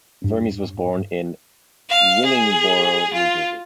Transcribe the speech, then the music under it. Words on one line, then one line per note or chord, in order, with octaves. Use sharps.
Vermes was born in Willingboro, New Jersey.
G2
F5
G#4
F4